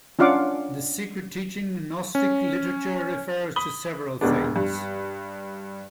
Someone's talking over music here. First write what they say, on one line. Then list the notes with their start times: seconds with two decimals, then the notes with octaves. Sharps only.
The secret teaching in Gnostic literature refers to several things.
0.19 C#4 D4 F4 F5 F#5 D6
2.15 C#4
3.56 B5 D#6 F#7 G7
4.21 E1 D#2 G#3 B3 D4
4.56 G2